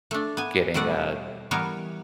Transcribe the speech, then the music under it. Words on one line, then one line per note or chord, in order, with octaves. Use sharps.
getting a,
A3 D4
B3 G#5
B2 G3 A3 D5 F#5
E3 G3 B3 A#4 C#5